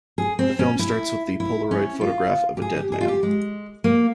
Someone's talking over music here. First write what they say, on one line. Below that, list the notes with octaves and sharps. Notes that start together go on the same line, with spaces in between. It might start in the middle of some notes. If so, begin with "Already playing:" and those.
The film starts with the Polaroid photograph of a dead man.
G#4
C4
C#4
E4
E4
C#4
F4
G4
G#4
G4
G#4
F4
G4
G#3
A#3